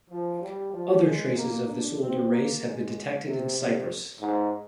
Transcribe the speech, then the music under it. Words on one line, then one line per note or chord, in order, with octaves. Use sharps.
Other traces of this older race have been detected in Cyprus.
F3
G3
F3
G#3
A#3
D4
C4
A#3
G#3
C3
C3
G#2